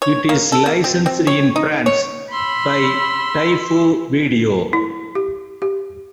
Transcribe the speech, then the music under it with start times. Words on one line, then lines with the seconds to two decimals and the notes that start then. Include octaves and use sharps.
It is licensed in France by Taifu Video.
0.02 C#5
0.29 A#3
0.52 A4
0.66 A#3
0.84 C4
1.06 C4
1.27 C#5
1.56 D#4
1.86 C#5
2.32 B5 C6 E6
4.73 E4
5.15 G4
5.62 G4